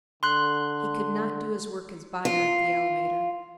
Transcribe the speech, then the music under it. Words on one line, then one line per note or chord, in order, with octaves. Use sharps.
He could not do his work as buyer at the elevator.
D3 C6 F#6
F4